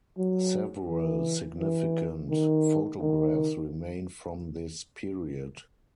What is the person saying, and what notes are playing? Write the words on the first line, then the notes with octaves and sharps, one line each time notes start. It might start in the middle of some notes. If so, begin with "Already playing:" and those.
Several significant photographs remain from this period.
F#3
E3
E3
D#3
D#3